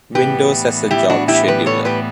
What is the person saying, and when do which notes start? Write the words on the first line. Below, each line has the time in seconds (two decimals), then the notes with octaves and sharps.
Windows has a job scheduler.
0.15 A2 E3 G3 B3 G4 B4
0.91 E4 G4
1.10 D4 F#4
1.28 E4 G4
1.48 G4 B4
1.66 A4 C#5
1.85 G4 B4